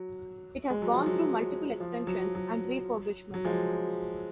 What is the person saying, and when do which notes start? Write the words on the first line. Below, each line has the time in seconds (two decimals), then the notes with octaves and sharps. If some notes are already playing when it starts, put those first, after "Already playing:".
It has gone through multiple extensions and refurbishments.
Already playing: F#3
0.70 G#3
0.82 F#3
0.94 F3
1.06 F#3
1.80 F3
2.07 F#3
2.35 F#3
3.34 F#3
3.45 F3 G#3